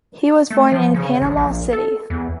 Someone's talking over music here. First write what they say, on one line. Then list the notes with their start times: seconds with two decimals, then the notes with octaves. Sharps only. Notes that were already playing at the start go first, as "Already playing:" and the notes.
He was born in Panama City.
0.50 A3
0.72 F3
0.94 C#3
1.22 A1
1.37 A#1
1.73 A4
2.10 E2